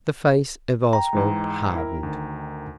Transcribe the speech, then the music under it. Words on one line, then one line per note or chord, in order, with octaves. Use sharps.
The face of Oswald hardened.
G5 A#5
G#2 E3 G#3
E4 A#4
D2 D#3